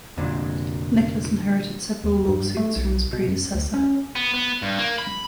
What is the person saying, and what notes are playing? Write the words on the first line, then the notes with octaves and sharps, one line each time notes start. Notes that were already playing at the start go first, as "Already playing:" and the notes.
Nicholas inherited several lawsuits from his predecessor.
F1 A#2 D3
D#2
G2
A3
B1
B2
F#2
D2
C#4
B3
B3
G2
A#3
B5